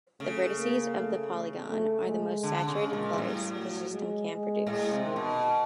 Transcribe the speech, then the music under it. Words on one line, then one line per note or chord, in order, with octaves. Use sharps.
The vertices of the polygon are the most saturated colors the system can produce.
C#3 A3
A#3
A3
A3
G#3
D3
C#3
G#3
A#2
G#2
A2 G3
F#3
G#3
G#3
A2 G#3
C3
D#3
B2